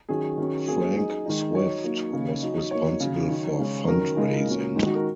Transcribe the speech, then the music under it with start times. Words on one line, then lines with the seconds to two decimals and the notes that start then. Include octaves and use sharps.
Frank Swift was responsible for fund-raising.
0.09 D#3 F#3 C#4 G#4
0.38 D#3 F#3 C#4
0.67 F#3 A#3 C#4 G#4
0.96 F#3 D#4 G#4
1.26 D#3 G#3 D#4
1.55 F#3 D#4 C#5
1.84 F#3 A#3 D#4
2.13 C#3 A#3 D#4
2.42 F#3 D#4
2.71 F#3 A#3 D#4 C#5
3.00 C#3 F#3 C#4
3.30 D#3 F#3 D#4
3.59 C#3 G#3 C#4
3.88 D#3 F#3 C#4 A#4
4.17 C#3 G#3 D#4
4.46 A#2 F#3 C#4
4.76 D#3 G#3 D#4
4.85 F#4
4.95 A#4